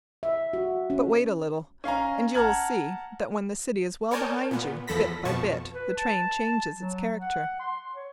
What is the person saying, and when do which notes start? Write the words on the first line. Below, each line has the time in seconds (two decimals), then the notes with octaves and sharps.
But wait a little, and you will see that when the city is well behind you, bit by bit the train changes its character.
0.23 E5
0.53 F#4
0.90 C#4
1.84 C#4 F5 G#5 A#5
2.34 F#5 A5 A#5 F6 G#6 F#7
4.11 A#4 C#5 D5 G#5 A5 G6
4.51 A#2 B3
4.87 E2 F3 A4 B5 A#6 B6
5.25 F2 B2 F3 A5 C#6
5.73 B4
5.97 A5
6.75 F#3
7.20 F#5
7.59 C6
7.95 C#5